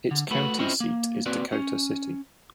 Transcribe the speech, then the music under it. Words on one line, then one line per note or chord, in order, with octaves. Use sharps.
Its county seat is Dakota City.
D3
A3 F#4 B4
C4 C#4 E4 F4 C5 D#5
A#3
A#3 C4 F#4 B4 D5
C#4